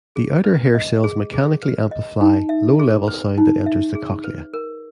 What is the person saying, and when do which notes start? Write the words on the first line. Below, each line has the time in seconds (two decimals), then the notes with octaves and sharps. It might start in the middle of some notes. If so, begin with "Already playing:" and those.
The outer hair cells mechanically amplify low-level sound that enters the cochlea.
0.16 G#4
0.45 B4
0.75 D#5
1.04 G#4
1.33 G#4
1.63 B4
1.91 D#5
2.21 D#4
2.49 E5
2.79 G#4
3.08 B4
3.38 D#4
3.66 E5
3.95 G#4
4.24 B4
4.54 A#4